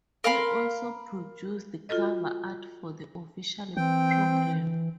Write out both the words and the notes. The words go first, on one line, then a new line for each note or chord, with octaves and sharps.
He also produced cover Art for the official programme.
A#4 F5 B5 C6
F4 F#4 A4 D#5
E3 C4 G5